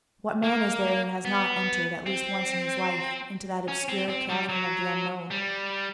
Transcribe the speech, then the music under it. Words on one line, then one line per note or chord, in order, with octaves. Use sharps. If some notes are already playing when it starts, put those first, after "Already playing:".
What man is there who has not entered, at least once in his life, into that obscure cavern of the unknown?
A#3
B3
C4
C#4
C4
C4
G3
F#3
G3